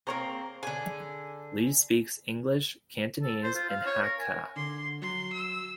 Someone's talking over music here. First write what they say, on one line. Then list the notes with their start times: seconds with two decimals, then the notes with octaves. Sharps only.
Lee speaks English, Cantonese, and Hakka.
0.07 A#3 C4 G#4 A#5 C#6
0.63 D3 G#4 G#5
3.22 A4
3.43 C5
3.55 F4
3.69 F5
3.86 C#5
4.02 A#4
4.20 G#5
4.56 D3 C6
5.02 F#3 C6
5.33 E6